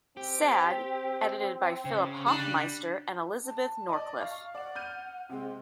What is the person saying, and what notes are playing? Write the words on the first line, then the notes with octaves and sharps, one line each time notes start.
Sag, edited by Philip Hofmeister and Elisabeth Norcliffe.
C4 G4
C#3
G3 D4
A5
D5 D#5
F5 C#6
D5 F#5
F6 G6 D#7
C3 G#3 C4